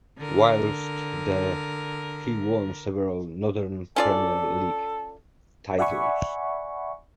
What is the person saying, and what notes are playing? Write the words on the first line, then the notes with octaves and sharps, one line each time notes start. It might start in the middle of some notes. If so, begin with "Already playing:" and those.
Whilst there, he won several Northern Premier League titles.
D3 A#4
C#4 F4 A4 D5
D5 E5 F#5 G#5 B5 C#6